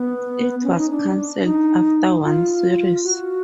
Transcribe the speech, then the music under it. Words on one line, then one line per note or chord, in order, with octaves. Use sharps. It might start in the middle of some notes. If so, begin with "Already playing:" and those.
It was cancelled after one series.
Already playing: B3
C#4
D#4
D4
D#4
F4
F#4